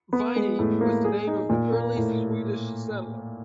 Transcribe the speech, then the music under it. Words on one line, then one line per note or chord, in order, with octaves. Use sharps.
Viding was the name of an early Swedish settler.
B3
G#3
A2
A#3
G#4
D#4
A#2
A#3
A2